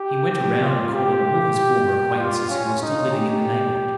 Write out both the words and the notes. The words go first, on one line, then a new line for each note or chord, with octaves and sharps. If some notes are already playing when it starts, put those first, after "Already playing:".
He went around and called on all his former acquaintances who were still living in the neighborhood.
Already playing: G4
G4
F4
G4
F4
C#4
D#4
G4